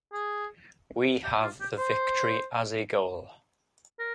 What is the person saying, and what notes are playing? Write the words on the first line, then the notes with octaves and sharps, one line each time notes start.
We have the victory as a goal.
G#4
G4
F4
G4
C5
A#4